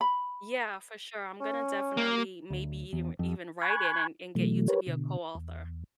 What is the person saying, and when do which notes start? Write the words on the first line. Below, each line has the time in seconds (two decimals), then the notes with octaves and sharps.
Yeah, for sure, I'm gonna definitely maybe eve even write it and and get you to be a co-author.
0.01 B5
1.41 C#4
1.97 A#3
2.50 D2
2.93 E2
3.19 F2
3.62 G#5 B5 C#6 F#6 G#6
4.35 B2 E3 F#3 A3
4.68 G4 A#4 B4 C#5
4.87 B2 D3
5.35 E2